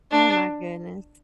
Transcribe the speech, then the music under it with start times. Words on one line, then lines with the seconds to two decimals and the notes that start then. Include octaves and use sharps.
Oh my goodness.
0.11 D4